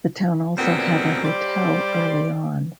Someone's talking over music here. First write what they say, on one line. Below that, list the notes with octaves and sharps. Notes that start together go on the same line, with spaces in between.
The town also had a hotel early on.
F#2 A#2 D3 G3 B3 C4
G3 C5 D5